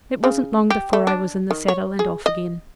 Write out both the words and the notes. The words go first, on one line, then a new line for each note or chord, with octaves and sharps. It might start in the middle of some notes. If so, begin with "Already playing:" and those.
It wasn't long before I was in the saddle and off again.
C#3
G4
A3
D4
D#3
C#5
G#4
D#5